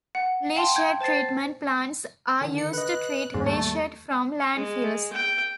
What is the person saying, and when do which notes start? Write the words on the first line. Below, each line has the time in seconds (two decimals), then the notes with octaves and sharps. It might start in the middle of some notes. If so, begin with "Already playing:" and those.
Leachate treatment plants are used to treat leachate from landfills.
0.15 F#5
0.56 F5 G5 A5 C6
0.75 G5 G6 G#6
1.01 C5 A5 A6 C7
2.41 D3 D#3
2.58 C#7
2.73 B4 D#5 F#6
3.34 D#2 G#2 G3
3.46 A3
4.55 G#3
5.13 G5